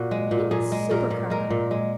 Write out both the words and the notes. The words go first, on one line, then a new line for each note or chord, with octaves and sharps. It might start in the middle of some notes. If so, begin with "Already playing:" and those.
"He was supercargo."
Already playing: A#2 F#4
G#3
A#2
A#2 G#4
G#3
A#2 A#4
A#2
G#3 A#4
A#2
G#3